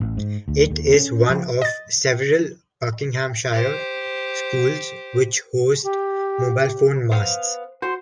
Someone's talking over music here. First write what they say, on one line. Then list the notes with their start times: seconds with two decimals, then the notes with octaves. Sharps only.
It is one of several Buckinghamshire schools which host mobile phone masts.
0.01 A1
0.17 G#2
0.48 D2
0.71 D#2
0.94 C#4
1.30 F3
1.62 D#5 A6
3.52 G4 C5
5.83 G4
7.12 B3 C5 F5
7.82 F#4 C5